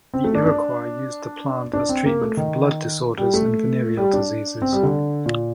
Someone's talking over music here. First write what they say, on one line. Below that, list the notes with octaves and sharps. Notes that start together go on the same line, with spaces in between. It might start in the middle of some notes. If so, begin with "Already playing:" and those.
The Iroquois used the plant as treatment for blood disorders and venereal diseases.
C4
A3
D4
D4
D4
C4
A#3
A3
D#3
G3
A3
G3
D4
C4
G3
D3
A#2